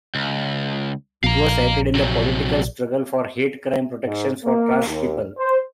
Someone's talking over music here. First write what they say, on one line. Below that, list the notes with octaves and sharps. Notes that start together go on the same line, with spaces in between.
It was cited in the political struggle for hate crime protections for trans people.
C#2
A#1 F5 A#5
C3 F#3
G#2
A#3
D#2
C5